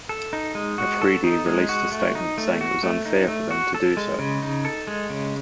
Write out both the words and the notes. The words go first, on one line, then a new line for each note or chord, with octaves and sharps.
Afridi released a statement saying it was unfair for them to do so.
A4
D#4
G#3
F#4
A4
D#4
G#3
F#4
A3
D#4
A3
F#4
A3
D#4
A3
F#4
A4
G#3
C#3
D#4
A4
G#3
C#3